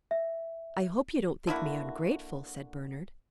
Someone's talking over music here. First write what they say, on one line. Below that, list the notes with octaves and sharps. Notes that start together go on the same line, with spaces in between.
"I hope you don't think me ungrateful," said Bernard.
E5
D3 A#3 E4 F#4